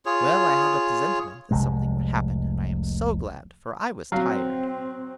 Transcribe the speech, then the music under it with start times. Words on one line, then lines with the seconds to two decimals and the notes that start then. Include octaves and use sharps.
'Well, I had a plesentiment that something would happen, and I am so glad, for I was tired!'
0.05 F4 G#4 C#5
1.51 F1 C2 C3 G#3
4.12 F#3 C4 F5